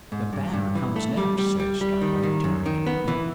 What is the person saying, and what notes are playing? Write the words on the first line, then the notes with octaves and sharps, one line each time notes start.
'The "Banner" comes next,' says Starlight, tearing it open.
G#2
G2
G2
E3
A3
G3
G3
G3
G3
D#3
D#3
F#2
D#3
B3
E3